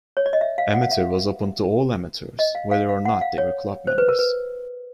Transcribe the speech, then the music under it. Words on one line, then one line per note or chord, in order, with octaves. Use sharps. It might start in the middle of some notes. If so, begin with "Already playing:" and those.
Amateur was opened to all amateurs, whether or not they were club members.
C#5
D5
D#5
E5
F5
F#5
F5
E5
F5
D#5
F5
F5
F5
F#5
F5
C#5
C5
B4
A#4
B4